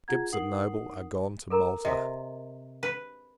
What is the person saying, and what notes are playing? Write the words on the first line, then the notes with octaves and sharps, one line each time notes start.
Gibbs and Noble are gone to Malta.
F4 G#4 F#5 A#5 G#6
D#4 A#4 F#5 D#6 C7 F#7
A4 A#4 A#5
C3 D#5
B4